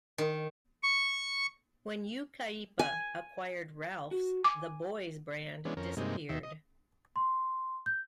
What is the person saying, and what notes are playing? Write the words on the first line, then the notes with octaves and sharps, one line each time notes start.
When Yucaipa acquired Ralphs, the Boys brand disappeared.
D#3
C#6
G#5
F#4
G#5 D6
E3 G#3 B3 C#4 D4
F2 C#4 A#4
G2 C3 G#3 A#3 D#4
D#2 D#3 E5
D#5
C6
G6